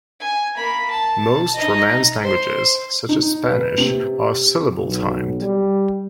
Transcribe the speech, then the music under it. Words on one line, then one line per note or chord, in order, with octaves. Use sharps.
Most Romance languages, such as Spanish, are syllable-timed.
G#5
A#3 B5
A5
A5
D#4 D#5
C5 C6
D#4
B4
C3
B1
G3